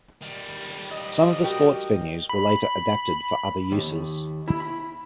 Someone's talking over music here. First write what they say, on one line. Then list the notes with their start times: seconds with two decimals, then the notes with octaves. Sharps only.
Some of the sports venues were later adapted for other uses.
0.22 D#3 G3
0.92 D#5
1.43 F#4 G4 A#4
2.29 B5
3.72 D#2
4.48 E4
4.60 B5